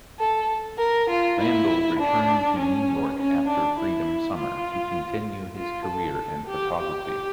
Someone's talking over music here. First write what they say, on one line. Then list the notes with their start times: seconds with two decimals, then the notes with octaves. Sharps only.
Randall returned to New York after Freedom Summer, to continue his career in photography.
0.19 A4
0.78 A#4
1.09 F4
1.38 E4
1.98 D4
2.58 C#4
3.18 C#4
3.47 D4
3.78 E4
4.37 F4
5.57 F4
5.86 A4
6.46 G4
6.76 G4